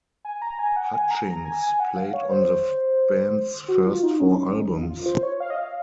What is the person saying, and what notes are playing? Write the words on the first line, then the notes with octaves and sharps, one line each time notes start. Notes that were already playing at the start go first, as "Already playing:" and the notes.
Hutchings played on the band's first four albums.
G#5
A#5
G#5
F#5
G#5
A#5
A#5
G#5
G#5
F#5
F5
C#5
C5
F#4
F4
D#4
C#4
C#4
D#4
F4
C5
C#5
F5
D#5
F5